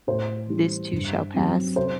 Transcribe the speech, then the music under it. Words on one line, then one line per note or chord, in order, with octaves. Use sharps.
this too shall pass.
A2 C5
E3 G3
G2
F#3 C4
C3 C5